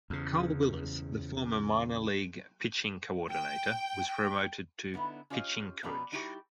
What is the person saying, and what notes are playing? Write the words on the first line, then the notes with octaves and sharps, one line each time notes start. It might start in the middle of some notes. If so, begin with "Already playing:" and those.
Carl Willis, the former Minor League pitching coordinator, was promoted to pitching coach.
E2 C#3
G5
D3 B3 D#4 E4
C#4 F4 G4 C#5 D#5 F5
B2 F3 B3 C#4 D5 A#5
G3 D#4 E4 F#4 G4 G5